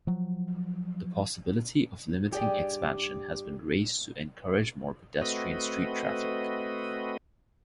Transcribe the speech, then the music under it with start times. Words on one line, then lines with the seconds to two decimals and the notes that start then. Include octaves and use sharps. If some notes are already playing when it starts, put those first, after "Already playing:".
The possibility of limiting expansion has been raised to encourage more pedestrian street traffic.
0.07 F3 F#3
2.31 G2 G4 G#4 D5
5.22 A3 C4 F#4 B4 D#5